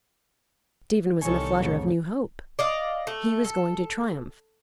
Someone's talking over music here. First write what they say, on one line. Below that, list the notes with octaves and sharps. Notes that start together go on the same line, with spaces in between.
Stephen was in a flutter of new hope; he was going to triumph.
C2 D#3 A4 C#5 G#5 C#6
A1 F2 C#3
D5 D#5 F5
A3
A4